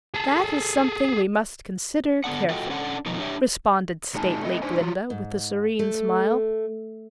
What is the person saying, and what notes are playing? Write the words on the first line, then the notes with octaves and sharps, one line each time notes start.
"That is something we must consider carefully," responded stately Glinda, with a serene smile.
G#4 A4
D3 B3 D4 F#5
F4 F#4 A4 D#5 F#5 G5
C#4 D4 A4 F#5
B2 D#3 F3 F#3 D#4
D4 G4 C#5 E5
A#2 G#3 D#4 G#5 A5
A3 C4 D#5
D4 D#4 C5 G#5
F#3 F4
G#2
A3